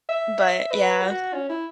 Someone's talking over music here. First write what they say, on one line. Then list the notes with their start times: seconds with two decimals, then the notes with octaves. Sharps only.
But yeah.
0.09 E5
0.40 E5
0.72 B4
1.03 F#4
1.34 C#4
1.50 E4